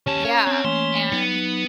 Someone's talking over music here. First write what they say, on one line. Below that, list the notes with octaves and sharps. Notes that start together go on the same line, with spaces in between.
yeah, and
D#2 C#4 G4 A5
A#4 C#5 F5
C4 G#5
E3 A3 A#3 C6
F#3 B3 D#4